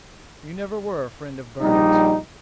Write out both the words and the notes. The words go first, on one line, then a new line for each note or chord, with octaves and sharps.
"You never were a friend of Bernard's."
A#1 G3 D#4